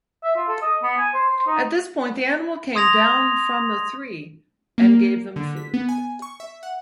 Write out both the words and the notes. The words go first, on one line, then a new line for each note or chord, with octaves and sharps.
At this point the animal came down from the three and gave them food.
E5
F4
A4
D#5
B3
G#5
C5
C5
D#4
C6 D#6 G#6 A#6 F7
A#3
D3
B6
B3
G#5
C#6
E5
F#5